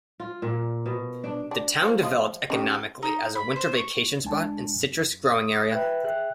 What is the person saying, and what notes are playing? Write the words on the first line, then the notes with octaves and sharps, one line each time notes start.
The town developed economically as a winter vacation spot and citrus growing area.
F4
A#2
B2
D4
D4
F4 C5
F3 G#3 F4
C#4 D#4 G4
D#4
B5
C5
C#6
C#2 G#3 D4 G#5 A5
F#2
D#6
B4 E5 G5 F#6
G#4 E5 G5 F#6